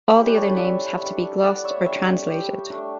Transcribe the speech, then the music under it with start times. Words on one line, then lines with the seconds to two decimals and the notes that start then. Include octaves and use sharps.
All the other names have to be glossed or "translated".
0.15 G3 C#4 E4 G4
0.26 G4 B4
0.37 A4 C#5
0.48 B4 D5
0.58 C#5 E5
1.00 G3 D4
1.44 D5 F#5
1.64 C#5 E5
1.85 G3 D4 C#5 E5
2.28 G4
2.71 A3 D4